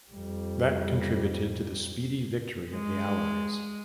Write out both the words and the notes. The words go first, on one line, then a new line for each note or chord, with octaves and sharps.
That contributed to the speedy victory of the Allies.
F2 G3
G#3